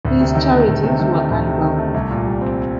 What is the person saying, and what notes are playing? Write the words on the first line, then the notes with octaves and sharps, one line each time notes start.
His charities were unbounded.
D2
C3
D#3
A3
D2
C3
D#3
A3
D2
C3
D#3
A3
C2
A#2
G3
C4